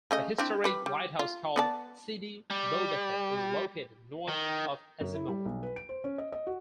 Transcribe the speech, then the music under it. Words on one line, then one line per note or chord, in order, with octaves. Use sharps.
A historic lighthouse called Sidi Boubeker is located north of Azemmour.
C#3 A3 D#5
C4 D4 E4
G3 B4
G3
F4
B3 D5 A5
G3
D#3
F#2
E4
G3
B1
B4
D7
C5
C#4
D#5
D#5
F#4